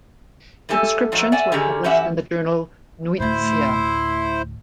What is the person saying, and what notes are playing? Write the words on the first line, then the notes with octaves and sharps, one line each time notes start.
The descriptions were published in the journal "Nuytsia".
G3 A3 G4 A4 G#5
G#2 F3 F#3 A3
A4 D5 E5 F#5 G#5
D3 D#3 G3 C#4 G4 G#4
E3 F#3 C#4 G4 E5 F#5
D2 A2 E4 C5